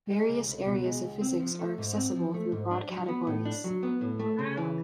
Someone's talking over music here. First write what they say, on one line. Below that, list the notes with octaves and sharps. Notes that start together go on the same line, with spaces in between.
Various areas of physics are accessible through broad categories.
G#3
C#2
C#2
B2
G#3
C#2
C4
F3
A3
G#2
C4
F3
A3
G#2
D4
F#3
B3
A2
D4
F#3
B3
A2
A3
C#3
E3